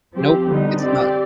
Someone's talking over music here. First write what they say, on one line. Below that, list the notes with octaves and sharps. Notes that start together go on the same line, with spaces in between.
Nope, it's not.
F3 C4 G4
D3 G3 B3 D#4
C4 G4 D5